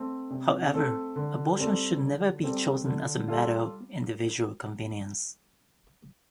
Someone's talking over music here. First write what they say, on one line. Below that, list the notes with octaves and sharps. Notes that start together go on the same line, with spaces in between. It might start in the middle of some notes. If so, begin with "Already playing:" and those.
However, abortion should never be chosen as a matter of "individual convenience".
Already playing: A3 C4 A4
C3
A3 C4 A4
D3
G3 C4 A4
D3
G3 C4 A4
D3
G3 F4 A4